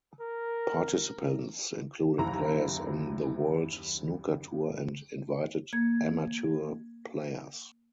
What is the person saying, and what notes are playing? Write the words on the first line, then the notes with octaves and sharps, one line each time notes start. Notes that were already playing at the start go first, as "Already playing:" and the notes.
Participants included players on the World Snooker Tour and invited amateur players.
A#4
F#1 D#2 E4 A#5
A#3 G#6